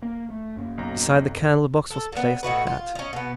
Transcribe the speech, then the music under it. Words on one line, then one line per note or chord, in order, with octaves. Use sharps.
Beside the candle-box was placed a hat.
A#3
A3
F#2 A#3
B1 A#5
F2
A4
A#2 B3
A2 D#4 F#4 B4
F4
C#4 D#4
B2 B3